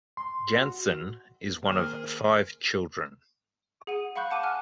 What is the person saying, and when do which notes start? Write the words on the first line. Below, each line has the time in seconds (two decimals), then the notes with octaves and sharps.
Jantzen is one of five children.
0.17 C6
0.58 F#4
1.66 D#3 A#3 G#4 A#4 C5 F6
3.87 G#4 F#5 D#7
4.16 F5 F#5 B5 C#6 F#6 G6
4.31 F#5 A5 D6 D#7
4.43 F#5 G#5 A5 F6 F#6